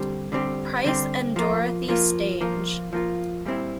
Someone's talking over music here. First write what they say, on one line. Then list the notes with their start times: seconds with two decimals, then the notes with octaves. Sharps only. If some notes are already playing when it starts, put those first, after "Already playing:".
Price and Dorothy Stange.
Already playing: D3 G3 C4 G4
0.32 D3 G3 C4 G4
0.84 D3 G3 C4 G4
1.36 F3 A#3 F4
1.88 F3 A#3 F4
2.41 F3 A#3 F4
2.93 F3 A#3 F4
3.45 A#2 G3 C4 E4